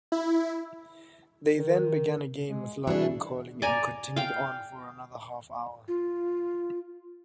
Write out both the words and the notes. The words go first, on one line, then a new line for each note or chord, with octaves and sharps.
They then began again with "London Calling" and continued on for another half-hour.
E4
D#3
G#3
E3 G3 D4 F#4 G#4 E5
D5 G#5 A#5
F5 G5
F4